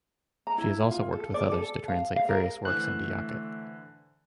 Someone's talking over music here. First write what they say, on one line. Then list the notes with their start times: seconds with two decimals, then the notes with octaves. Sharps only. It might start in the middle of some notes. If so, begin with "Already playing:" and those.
She has also worked with others to translate various works into Yakut.
0.47 A#5
0.58 E4
0.91 F4
1.12 A4
1.34 D5
1.52 A4
1.88 F5
2.16 F5
2.29 A#4
2.65 D3 E3 A3 C5 F#6